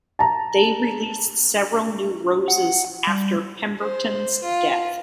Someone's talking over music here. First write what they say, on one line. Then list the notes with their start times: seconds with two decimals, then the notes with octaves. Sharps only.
They released several new roses after Pemberton's death.
0.19 A5 A#5
2.48 F#5
3.07 G3
3.79 C5
4.43 F4